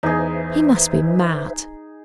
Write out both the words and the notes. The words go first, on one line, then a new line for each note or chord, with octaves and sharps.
"He must be mad."
E2 D#4 G#4 B4 C5 E5